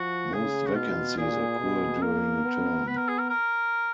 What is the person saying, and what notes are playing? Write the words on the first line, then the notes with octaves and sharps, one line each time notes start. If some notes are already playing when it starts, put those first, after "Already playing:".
Most vacancies occur during a term.
Already playing: F3 F#4
C#3 G#4
F#4
B2 F4
A#2 G#4
B2
A#3 A#4
B3
B3 B4
A#4
G#4
A#4
A#4